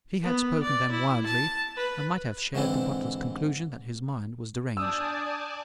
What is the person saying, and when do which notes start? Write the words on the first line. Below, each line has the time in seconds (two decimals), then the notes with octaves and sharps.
If he had spoken them wildly, I might have shared the butler's conclusion that his mind was deranged.
0.23 B3
0.62 D5
0.91 E4
1.25 A5
1.76 B4
2.55 G#2 D3 E3 C4 E4
4.77 D4 D5 G#5 A5 D#6 E6 G6